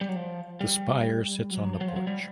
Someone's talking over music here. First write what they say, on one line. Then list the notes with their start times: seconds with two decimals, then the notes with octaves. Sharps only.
The spire sits on the porch.
0.01 G3
0.09 F#3
0.16 F3
0.61 G3
1.51 F#3
1.73 F3
1.81 F#3
1.88 F3
1.96 F#3
2.07 G3